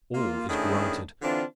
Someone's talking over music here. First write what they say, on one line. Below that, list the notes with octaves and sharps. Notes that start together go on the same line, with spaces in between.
All is granted.
A#3 F4
D#3 A3 C#4 D4 E4 G#4
D3 E3 C4 D4 F4